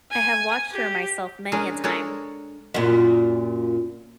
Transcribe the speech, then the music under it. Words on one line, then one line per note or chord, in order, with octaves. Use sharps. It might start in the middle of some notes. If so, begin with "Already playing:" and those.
I have watched her myself many a time.
G#5
G4
G#3 C#4 D4 G#4 A#4
G#3 D4 A4 A#4 C#5
F#2 A#2